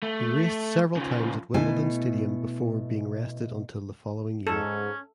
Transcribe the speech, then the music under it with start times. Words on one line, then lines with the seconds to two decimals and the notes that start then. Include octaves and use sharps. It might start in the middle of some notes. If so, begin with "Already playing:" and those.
He raced several times at Wimbledon Stadium before being rested until the following year.
0.02 A3
0.97 C#3 F3
1.54 B2 A3 E4 G#5
4.47 G#2 C#4 A4